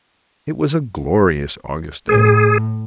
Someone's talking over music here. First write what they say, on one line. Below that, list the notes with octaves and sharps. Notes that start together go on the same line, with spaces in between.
It was a glorious August day.
A2 G#4